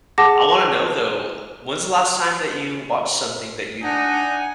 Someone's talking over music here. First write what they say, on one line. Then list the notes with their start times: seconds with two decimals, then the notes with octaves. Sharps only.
I wanna know, though, uh, when’s the last time that you watched something that you
0.18 G#4 F#5 A5 D6 A#6
3.82 D4 D#4 F#5 G#5